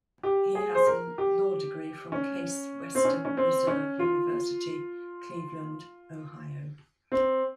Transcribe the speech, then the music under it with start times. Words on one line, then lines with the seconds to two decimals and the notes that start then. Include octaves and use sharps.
He has a law degree from Case Western Reserve University, Cleveland, Ohio.
0.23 G4
0.55 G#4
0.75 C5
0.87 A#4
1.18 G4
2.12 C#4
2.95 C4
3.05 C#4
3.25 C#4
3.37 C4
3.67 C#4
3.99 F4
7.12 C4